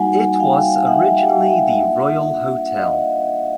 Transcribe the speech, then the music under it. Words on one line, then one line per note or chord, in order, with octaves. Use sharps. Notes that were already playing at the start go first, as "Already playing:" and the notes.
It was originally the Royal Hotel.
Already playing: G3 A#3 D#4 F#4 F#5 G#5
G#5
F5 G5
F5
E5 F#5
F5 G5
G5
E5 F#5
A#3 D4 F4 E5 F#5
F#5
D#5 F5